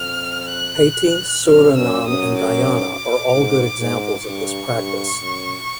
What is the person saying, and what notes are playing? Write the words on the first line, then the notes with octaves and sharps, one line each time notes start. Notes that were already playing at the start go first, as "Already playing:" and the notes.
Haiti, Suriname and Guyana are all good examples of this practice.
Already playing: F2 F6
F#6
F#2 F6
F#2 E6
F#2 D#6
D6
G#2
G#2
G2 C#6
G2
F#2